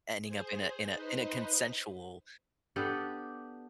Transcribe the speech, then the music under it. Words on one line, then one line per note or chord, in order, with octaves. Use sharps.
ending up in a in a in a consensual,
G#4 C5
D#4 B4 C5 D#5
B3 D4 G4 A4